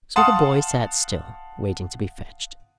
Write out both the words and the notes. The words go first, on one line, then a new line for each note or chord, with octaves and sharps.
So the boy sat still, waiting to be fetched.
F5 F#5 A5 C6 D#6